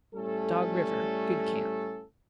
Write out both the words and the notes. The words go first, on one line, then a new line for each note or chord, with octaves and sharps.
Dog River.--Good camp.
A2 G3 A3 C#4 A4